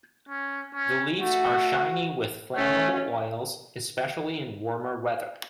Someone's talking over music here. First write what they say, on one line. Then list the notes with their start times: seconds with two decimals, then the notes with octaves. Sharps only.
The leaves are shiny with flammable oils, especially in warmer weather.
0.29 C#4
0.74 C#4
1.20 A3 F#4
2.56 A3 C#4